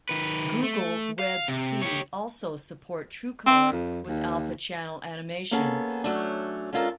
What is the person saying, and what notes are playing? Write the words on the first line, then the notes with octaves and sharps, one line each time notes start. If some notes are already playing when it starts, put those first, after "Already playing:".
Google WebP also support Truecolor with alpha channel animation.
D#3 B4
A3
F5
C3
G4 C#5
C4
F2
D#2
A#3 B3 C#4 G#4 A4
F#3 A3 C#4 D4
G#3 C#4 D4 F4 A4 A#4